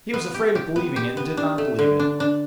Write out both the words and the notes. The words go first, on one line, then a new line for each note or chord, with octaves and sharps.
He was afraid of believing it and did not believe it.
B3
G4
G4
B3
G4
B3
D4
A3
D3
D4
D4